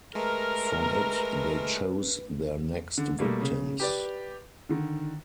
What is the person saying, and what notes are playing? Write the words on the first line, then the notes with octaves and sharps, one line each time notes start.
From it they chose their next victims.
G#3 A3 A#4 B4
D3
B2 G3 A3 A#3
C#3
G4 B4 D5
D3 D#3